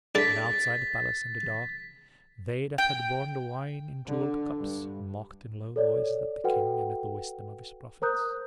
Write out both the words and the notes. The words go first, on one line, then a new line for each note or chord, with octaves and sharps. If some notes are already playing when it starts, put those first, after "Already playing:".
And outside the palace in the dark they that had borne the wine in jewelled cups mocked in low voices at the King and at the wisdom of his prophets.
D4 A4 A5 A6 B6
G5
D3
G2
A4 C#5 D5
F#4 A4 B4 F#5 G5
A#4 C5 A#5 D#6 F#6 G6